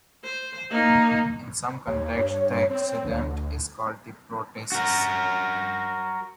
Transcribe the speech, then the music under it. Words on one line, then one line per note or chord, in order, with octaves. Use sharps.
In some contexts the antecedent is called the protasis.
C5
A#3 D#4
D#2 C#5
G2
C4
D2
F#4 A#4